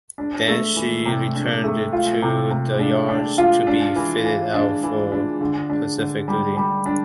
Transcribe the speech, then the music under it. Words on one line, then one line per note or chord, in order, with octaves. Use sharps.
Then, she returned to the yards to be fitted out for Pacific duty.
D4
A3
E3
C3
D4
A3
F4
C3
C3
D4
D4
F4
D4
E3
E3
D4
E3
D4
D3
D4
D3
G3
G3
D4